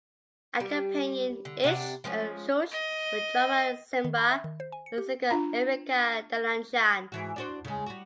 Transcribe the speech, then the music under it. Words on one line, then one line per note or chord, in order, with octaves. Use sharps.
Accompanying Esch and Schulz were drummer Ziemba and singer Erica Dilanjian.
G3
D3
C3 D4 D5 F#5
F3 G#3 B3 C#4
D#5
D#3
B5
E5
D#3
C5
G#5
C#7
G4
D4 F4 A#5 B5
G#2 E3 F#4
D4 F#4 C5
C#3 G#3
G3 F#4